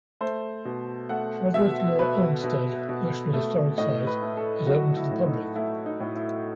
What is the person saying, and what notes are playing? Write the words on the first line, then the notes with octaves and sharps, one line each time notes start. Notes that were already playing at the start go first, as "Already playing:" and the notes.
Frederick Law Olmsted National Historic Site is open to the public.
A3 C5
B2
A3 F#5
B2 E5
B2 B4
B2
B2
A3
A2 D#5
B4
A3
A4
F#3 F#4
E4
A2
D#4
A3 E4
D#4
A2
E4